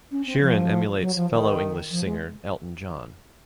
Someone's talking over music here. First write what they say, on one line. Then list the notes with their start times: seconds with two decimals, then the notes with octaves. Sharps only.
Sheeran emulates fellow English singer Elton John.
0.11 C#4
0.26 C4
0.40 F3
1.00 F#3
1.15 F3
1.30 D#3
1.90 F3
2.04 G#3